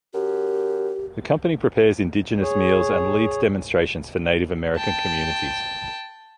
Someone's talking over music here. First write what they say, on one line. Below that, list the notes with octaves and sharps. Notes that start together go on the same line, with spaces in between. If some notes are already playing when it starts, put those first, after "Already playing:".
The company prepares Indigenous meals and leads demonstrations for Native American communities.
F#2 G4
G#4 C#5
G5 A5